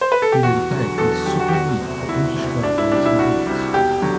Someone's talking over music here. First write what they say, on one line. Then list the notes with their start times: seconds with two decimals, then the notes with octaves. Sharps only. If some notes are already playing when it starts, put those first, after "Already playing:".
He then played in Super League for English club Warrington Wolves.
0.01 C5
0.12 B4
0.22 A4
0.32 G4
0.43 E2 F#4
0.71 D3 F#3
0.98 E2 A4
1.11 A4
1.26 D3 F#3 G4
1.40 F#4
1.48 G4
1.53 E1 F#4
1.81 D2 C3
2.08 E1 E4
2.36 D2 C3
2.63 C2 D4
2.78 E4
2.92 C3 G3 D4
3.05 E4
3.18 C2 F#4
3.47 C3 G3
3.74 E1 G4
4.02 D3 F#3